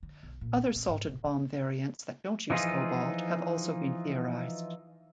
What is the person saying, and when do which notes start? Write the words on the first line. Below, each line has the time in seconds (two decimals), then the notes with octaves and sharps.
Other salted bomb variants that don't use cobalt have also been theorized.
0.03 D3
0.23 B1
0.41 A#2
0.56 C4
0.76 C4
0.88 G#2
1.08 B2
1.24 C#3
2.50 E3 F3 D#4 F4 G#4